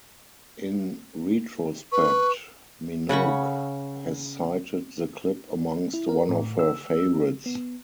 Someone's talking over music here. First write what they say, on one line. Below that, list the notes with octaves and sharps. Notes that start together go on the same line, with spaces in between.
In retrospect, Minogue has cited the clip amongst one of her favourites.
B4 C#6
C#3 F#5 B5 C#6
E4
A#4
A2
E6
B3